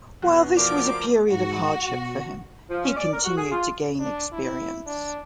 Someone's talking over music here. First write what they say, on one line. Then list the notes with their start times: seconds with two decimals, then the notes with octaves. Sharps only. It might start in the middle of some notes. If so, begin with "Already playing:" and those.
While this was a period of hardship for him, he continued to gain experience.
0.22 E2 B2 F#6
0.57 F3 F#4 A#4 D5 D6
1.31 G#2 F#4
1.89 B2
2.69 F3
2.85 C#4
2.97 D5
3.12 A#4
3.24 F#4
3.37 G#4
3.50 F4
4.00 D4
4.33 E4
4.86 D4